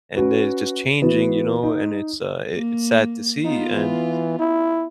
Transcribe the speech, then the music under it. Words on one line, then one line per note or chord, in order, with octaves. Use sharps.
and, uh, it's just changing, you know, and it's, uh it's sad to see, and
C#4 F#4 B4
E3 B3 F#4
D#4
A#3
B3 D#4 F4
E3
E4